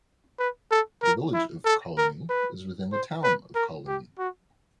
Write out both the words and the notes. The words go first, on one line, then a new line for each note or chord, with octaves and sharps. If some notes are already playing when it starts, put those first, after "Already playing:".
The village of Colonie is within the town of Colonie.
B4
A4
A#4
E4
A4
A#4
B4
C5
B4
A#4
G4
F#4